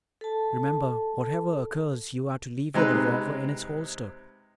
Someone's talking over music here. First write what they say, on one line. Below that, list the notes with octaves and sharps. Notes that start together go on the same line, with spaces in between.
Remember, whatever occurs, you are to leave your revolver in its holster.
A4 A5
C3 G#3 D#4 B4